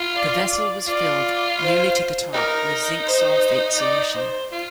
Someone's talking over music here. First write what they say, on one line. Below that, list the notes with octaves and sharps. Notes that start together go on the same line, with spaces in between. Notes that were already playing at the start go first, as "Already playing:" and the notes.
The vessel was filled, nearly to the top, with zinc sulfate solution.
Already playing: F4
D5
D5
F4 D5
C5
D#4 A#4
C5
D5
C5
F4